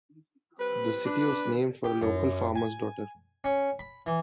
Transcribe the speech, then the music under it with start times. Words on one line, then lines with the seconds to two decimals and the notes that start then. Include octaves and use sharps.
The city was named for a local farmer's daughter.
0.59 G3 C4 B4
1.05 D4 B4
1.84 G4
2.02 F#2
2.56 G#5
3.44 C#4
3.79 B5
4.06 E3